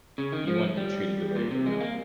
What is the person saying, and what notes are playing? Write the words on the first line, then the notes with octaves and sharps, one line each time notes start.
you wanna be treated the way, you know,
C#3
D#3
F3
G3
A#2
C3
G#3
A#3